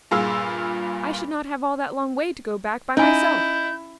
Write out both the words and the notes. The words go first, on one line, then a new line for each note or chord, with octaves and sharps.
"I should not have all that long way to go back by myself."
G2 A#2 F4 G#4 E6
C#4 D#4 E4 G#5 G6